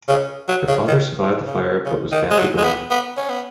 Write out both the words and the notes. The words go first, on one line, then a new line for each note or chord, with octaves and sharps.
Her father survived the fire but was badly burned.
C#3
F#3
C#3
D#3
C#3
C#3
D#3
G#3
F#3
G#3
B3
B3
C#4
B3